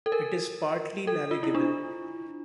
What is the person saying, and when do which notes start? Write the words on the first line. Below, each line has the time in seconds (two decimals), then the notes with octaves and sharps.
It is partly navigable.
0.06 A4
0.12 A#4
1.07 A4
1.31 F4
1.43 E4
1.55 D4